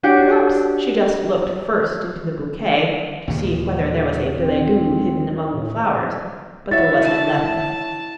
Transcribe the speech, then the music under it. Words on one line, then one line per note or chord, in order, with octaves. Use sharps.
Perhaps she just looked first into the bouquet, to see whether there was a billet-doux hidden among the flowers; but there was no letter.
D4 F#4 G4 C#5
D#2 A#2 C#3
F#4
C4
A2
E4 F#4 C#5 E5 A6
A5